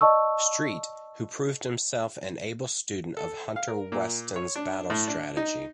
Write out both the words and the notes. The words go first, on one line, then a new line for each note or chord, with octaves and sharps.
Street, who proved himself an able student of Hunter-Weston's battle strategy.
D5 D#5 A5 C#6 E6
A4
F5
A#4
A#2
C#5
D4
A2
D4
D#4